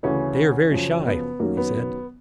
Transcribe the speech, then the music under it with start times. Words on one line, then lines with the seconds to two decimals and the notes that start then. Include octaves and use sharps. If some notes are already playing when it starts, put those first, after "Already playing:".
"They are very shy," he said.
0.03 D2 C#3 E3 C#4
0.71 F#2 C#3 F3
1.06 B3
1.40 F#2 D#3 F#3 A#3
1.57 B3